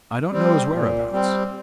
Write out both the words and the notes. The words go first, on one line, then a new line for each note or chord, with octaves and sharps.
I don't know his whereabouts.
G3 C4
A#2
G3 C4